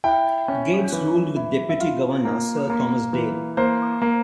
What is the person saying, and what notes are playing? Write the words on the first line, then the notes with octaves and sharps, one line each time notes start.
Gates ruled with deputy governor Sir Thomas Dale.
E4 G5
C#4
E3
E4
E5
F4 F5
A#3
A#3
E3
A#3 C5
A#3